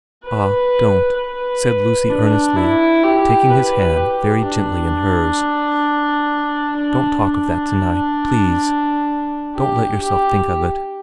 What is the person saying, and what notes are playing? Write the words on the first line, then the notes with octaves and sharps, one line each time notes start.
'Ah, don't,' said Lucy earnestly, taking his hand very gently in hers. 'Don't talk of that to-night please don't let yourself think of it.
B4
B4
D4
E4
G4
B4
G4
D4
D4
D4
G4
G4